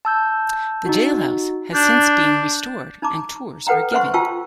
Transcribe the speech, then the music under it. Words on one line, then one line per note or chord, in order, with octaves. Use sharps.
The jailhouse has since been restored and tours are given.
A5 E6 G6
D#4 F#4
D4 G6
D#4 A5 A#5 D6
A4 B4 F#5 G5 A#5
B4 C5 E5 F#5 C6 C#6
F4 G5 A5 C#6 E6